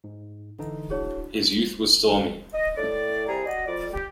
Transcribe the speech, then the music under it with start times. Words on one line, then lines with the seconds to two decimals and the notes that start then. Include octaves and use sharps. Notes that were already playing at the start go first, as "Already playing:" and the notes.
His youth was stormy.
0.04 G#2
0.59 D3 E3 D#4
0.90 D4 E4 F#4 G#4 C#5
2.53 D#5
2.77 A2 D5
3.28 C2 G3 G#4 A#5
3.47 F#4 D5 D#5
3.66 F2 D5
3.93 G4